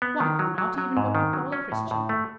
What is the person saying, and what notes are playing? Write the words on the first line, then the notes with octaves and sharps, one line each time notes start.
Why, I'm not even what you'd call a Christian.
B3
D#3
F#3
F#3
F#3
G#2
D#3
F#3
C#4
A2
A2
A3